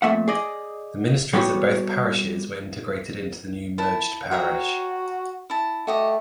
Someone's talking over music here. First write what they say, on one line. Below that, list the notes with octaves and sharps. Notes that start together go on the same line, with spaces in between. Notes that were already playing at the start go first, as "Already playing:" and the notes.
The ministries of both parishes were integrated into the new merged parish.
F2 A#2 A3 E5 F#5
G#4 D5 D#5
G3 B3 F#4 G4 A4 C#5
E4 A5
F#4 A#4 C#5 G5
E4 A5
A3 F#4 G4 D#5